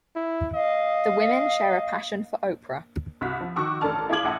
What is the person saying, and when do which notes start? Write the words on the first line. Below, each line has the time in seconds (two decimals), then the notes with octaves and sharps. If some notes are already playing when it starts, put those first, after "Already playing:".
The women share a passion for Oprah.
0.16 E4
0.54 D#5 F5
3.21 C2 F#4 B6
3.41 F3
3.56 D#3 F#4 C#6 D6 E6
3.81 A1 A4 A#4 D5 A5 F6
4.09 E4 F4 G#4 D6 G#6 F#7
4.24 A#1 F#5 A5 D#6